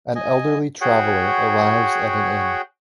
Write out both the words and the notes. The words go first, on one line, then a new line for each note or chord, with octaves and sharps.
An elderly traveler arrives at an inn.
D#5 G#5
F#4 G#4 C#5 F#5 G5